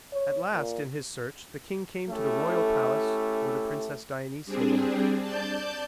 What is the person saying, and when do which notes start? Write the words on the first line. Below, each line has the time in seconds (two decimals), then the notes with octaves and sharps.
At last in his search the king came to the royal palace where the princess Dionysia lived.
0.13 C#5
0.54 A#2
2.09 A3 C#4 E4 G4 A4
4.45 G3 C4 D4 G#4
5.19 D5 A5 G6